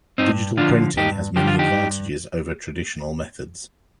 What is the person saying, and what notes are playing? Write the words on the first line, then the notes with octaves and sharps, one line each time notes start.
Digital printing has many advantages over traditional methods.
G2 C4 D#4
D3 F3 D4 F4
G2 D#4 G4
D3 F3 G4
F4
D#4 G4
G2